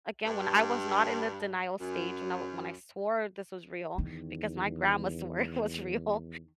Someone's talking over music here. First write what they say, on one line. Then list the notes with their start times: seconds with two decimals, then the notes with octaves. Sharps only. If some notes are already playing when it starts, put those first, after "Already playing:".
again, when I was not in the denial stage, when I when I swore this was real, because my grandma swore it was real,
0.26 G2
1.79 F#2
3.98 E2 D#3